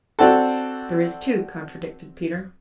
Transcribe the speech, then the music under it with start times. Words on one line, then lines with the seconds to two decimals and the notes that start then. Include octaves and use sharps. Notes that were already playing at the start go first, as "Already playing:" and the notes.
"There is too," contradicted Peter.
0.19 C4 D4 F#4 A4